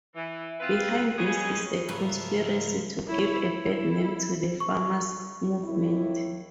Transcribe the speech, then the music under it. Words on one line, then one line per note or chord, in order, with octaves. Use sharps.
Behind this is a conspiracy to give a bad name to the farmers' movement.
E3
C4 F4 B4
C#3 G#3 B3 C#4 G4 G#4
C#2 G#2 F3 F4 A#4 B4 C#5 E5
E4 C#5
E4
C#6
D#2 E4